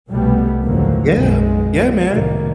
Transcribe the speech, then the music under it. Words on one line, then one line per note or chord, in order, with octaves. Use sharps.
Yeah. Yeah, man.
C2 B2 F#3 G3 A3 B3
A1 D#2 D3 F3 F#3 A#3
B1 F#2 G#3
C2 A2 D#3 A#3